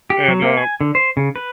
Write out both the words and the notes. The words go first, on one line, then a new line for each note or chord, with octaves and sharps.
and, uh,
G4
F#3
A#3
G#5
D3
C5
C#3
B4